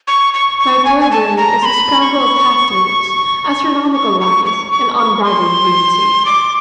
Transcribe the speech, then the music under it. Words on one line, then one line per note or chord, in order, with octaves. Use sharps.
My poor brain is a scramble of half-truths, astronomical lies and unbridled lunacy.
C#6
C#6
C#6
G#5
G#5
A5
A#5
C6
B5
C#6
C#6
C#6
C#6
C#6
C#6
C6
D6